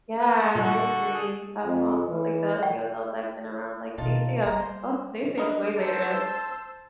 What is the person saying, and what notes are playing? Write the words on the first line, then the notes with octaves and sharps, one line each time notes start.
yeah, I agree, um, also like the the adults I've been around, like they stay up, oh, they stay up way later,
B4
G#3 F#5
A#2 D3 G3 A#3 F#4 A4
G#4
F2
E3
G5
B2 D#3 D#4 F4 A5
G3 A#3 A#5
C5
D4 A#4 B4 D#5
C5 A5 E6